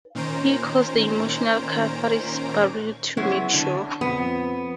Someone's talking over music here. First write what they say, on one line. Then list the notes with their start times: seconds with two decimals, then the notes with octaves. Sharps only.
He calls the Emotional Catharsis Bureau to make sure.
0.15 A#2 D#3 C#4 C5 A#5 D7
3.17 F#3 G#3 B3 C#4 E4 C#5
3.52 D3 A4
4.01 F2 B3